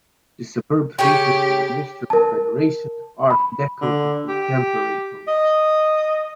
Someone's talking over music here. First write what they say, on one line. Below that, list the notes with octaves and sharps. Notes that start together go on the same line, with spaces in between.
The suburb features a mixture of Federation, Art Deco and contemporary homes.
C#3 G4 C#5 G5
A#4 A5
B5
D3
G4
D#5